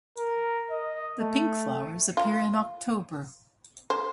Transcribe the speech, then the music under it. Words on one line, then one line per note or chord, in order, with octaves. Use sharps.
The pink flowers appear in October.
A#4
D#5
A3
F4
C5